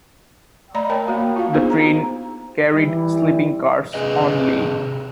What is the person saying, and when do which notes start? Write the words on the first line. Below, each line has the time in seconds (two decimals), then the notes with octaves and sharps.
The train carried sleeping cars only.
0.75 A3 D5 D#5 A#5 B5
0.90 A#4 C#5 G5 A5 B5
1.07 A#3 F#4 F5
1.36 F4 F5
1.53 B3 D4 D#4 F#4 G#4 C5
1.70 A#5
2.75 E3 G3 E4
3.94 C3 G#4 B4 D#5